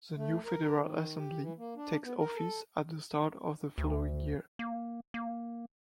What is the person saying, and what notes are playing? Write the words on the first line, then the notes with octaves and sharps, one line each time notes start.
The new Federal Assembly takes office at the start of the following year.
A3
A#4
D#3
G4
E3
A#3
D4
B3
A#4
A4
D2
A#3
A#3